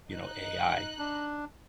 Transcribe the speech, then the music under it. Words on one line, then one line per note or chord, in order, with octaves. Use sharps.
you know, AI
D#4 F#6
D4